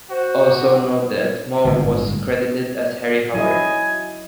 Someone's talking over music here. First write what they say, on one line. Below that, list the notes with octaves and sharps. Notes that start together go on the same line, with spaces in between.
Also note that Moe was credited as Harry Howard.
F#4 C5
G1 A2 D3 G#3
F#3 E4 D#5 G#5